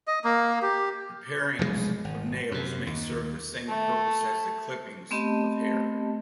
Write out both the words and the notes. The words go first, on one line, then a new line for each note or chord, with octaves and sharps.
The parings of nails may serve the same purpose as the clippings of hair.
D#5
A#3
G4
F1 B1 G#2 G#3
G#1
F#2 C3
D#2
A3
A3 B3 C4 G4 D#5 A5